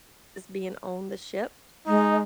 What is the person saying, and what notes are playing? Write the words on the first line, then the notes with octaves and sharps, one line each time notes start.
is being on the ship
G#3 D#4